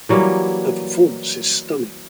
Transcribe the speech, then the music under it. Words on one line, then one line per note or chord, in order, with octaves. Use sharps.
Her performance is stunning.
E3 F#3 G3 A#3